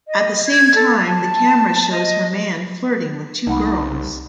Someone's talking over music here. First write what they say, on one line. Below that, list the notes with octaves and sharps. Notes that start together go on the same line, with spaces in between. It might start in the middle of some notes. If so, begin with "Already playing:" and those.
At the same time the camera shows her man flirting with two girls.
D#5
G#6
A4
A5
D#5
C2 D#4 F#5 B5